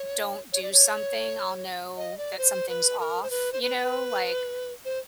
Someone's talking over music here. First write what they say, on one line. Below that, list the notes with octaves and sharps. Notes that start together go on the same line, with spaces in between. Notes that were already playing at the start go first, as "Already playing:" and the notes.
don't do something, I'll know that something's off, you know? Like,
Already playing: C#5
C#5
D5
C#5
D#5
D5
C5
B4
A#4
C5
B4
C5
B4
C5